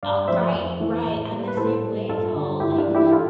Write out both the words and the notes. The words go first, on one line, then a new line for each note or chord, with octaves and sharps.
Uh, right, right. I'm the same way, though. Like,
G2 D5 F5
F3 A3 C5 E5
F2
E3 A3
A2
G3
B4
A2 A4 C5
G3
G2 F4 A4
D3 G3
G2 E4 G4
D4 F4
E3 A3
E4 G4
A2 F4 A4